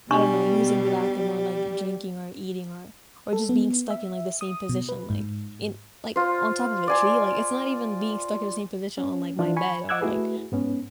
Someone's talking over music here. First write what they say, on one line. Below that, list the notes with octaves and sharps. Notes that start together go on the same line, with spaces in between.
I don't know, using the bathroom or, like, drinking or eating or or just being stuck in, like, the same position, like, in like, on top of a tree, like, it's not even being stuck in the same position on, like, my bed or, like,
B2 G3 D4 C#6
A4
B3
E5
D#6
B2
B4
G#2
F4 C5
D5 G#5 C6
C#4
E3 D4 F4
G#5 B5 C#6
D#5 F#5 D6 E6 F#6 G#6
A3 E4 F#4 G#4 B4
G#2 B3 C#4